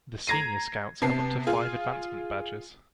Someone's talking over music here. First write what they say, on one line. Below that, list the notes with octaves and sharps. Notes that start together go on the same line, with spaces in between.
The Senior Scout's have up to five advancement badges.
A#5 G#6 A#6 C7 D#7
C3 B3 A5 C7
F4 G#4